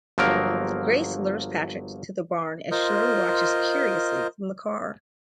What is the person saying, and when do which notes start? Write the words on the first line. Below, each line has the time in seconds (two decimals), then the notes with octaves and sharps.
Grace lures Patrick to the barn as Shirley watches curiously from the car.
0.18 G1 F3 F#3 A#3 A#4
2.71 F4 A#4 C5 D#5